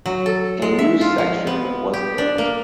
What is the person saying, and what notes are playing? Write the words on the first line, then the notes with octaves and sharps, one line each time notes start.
A new section was built.
F#3
A4
G#3
E5
F4
F3
B3
G4
D4
A#3